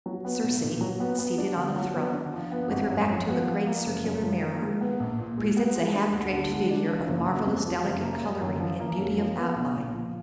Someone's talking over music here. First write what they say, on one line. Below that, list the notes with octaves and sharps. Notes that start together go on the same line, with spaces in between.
Circe, seated on a throne, with her back to a great circular mirror, presents a half-draped figure of marvellous delicate colouring and beauty of outline.
F#3
B3
B1
A#2
F#3
B3
B3
D4
D3
F#3
B3
D4
F3
B3
G#1
F#2
F3
B3
F3
A#3
F#1
F#2
F3
A#3
G#3
B3
A#1
A#2
G#3
B3
G#3
D4
D2
D3
G#3
D4
F3
F#1
F#1
F2
F3
F#1
A#3
F#2
F#2
F3
A#3
F#2
F3
B3
B1
A#2
F3